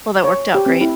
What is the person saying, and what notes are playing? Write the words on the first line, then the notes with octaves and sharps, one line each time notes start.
Well, that worked out great.
C#5
G4
C4
E4